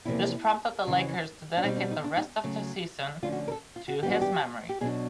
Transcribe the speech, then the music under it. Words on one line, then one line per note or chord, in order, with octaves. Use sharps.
This prompted the Lakers to dedicate the rest of their season to his memory.
E2 C3 F3 A#3 E4
F2 C#3 E3
D4
B2 G3 C4 D#4
D4
D#4
D4
D#4
C#3 F#3 A3
D3 F3 A3 C#4 F4
F#4
A#4
A4
F4
F#4
G#2 E3 G3 B3 D4 G4
F#4
G4
G4
B2 F#3 B3 D4 G#4